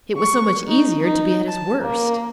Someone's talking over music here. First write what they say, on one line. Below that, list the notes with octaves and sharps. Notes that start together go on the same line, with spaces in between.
It was so much easier to be at his worst.
C#6
D#4
D#4
A5
A#3